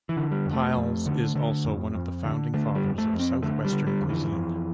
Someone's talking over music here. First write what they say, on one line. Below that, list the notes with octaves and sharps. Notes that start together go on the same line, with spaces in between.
Pyles is also one of the founding fathers of Southwestern cuisine.
E3
D3
G3
F2
A3
F2
D3
D3
F2
F2
D3
D3 A3
G3
F2
A3
F2
C4
D3 A3
G3
D3
G3
F2
E3
F2